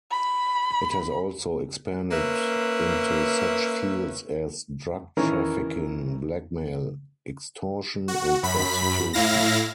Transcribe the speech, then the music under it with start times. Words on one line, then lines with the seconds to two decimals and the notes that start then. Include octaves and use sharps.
It has also expanded into such fields as drug trafficking, blackmail, extortion, and prostitution.
0.11 B5
2.11 A#3 C#4 B4 E5
5.17 D#3 E3 C#4 E4 A#4
8.08 F#4
8.43 F#2 B5 B6
9.13 A2 E4 F5 A#6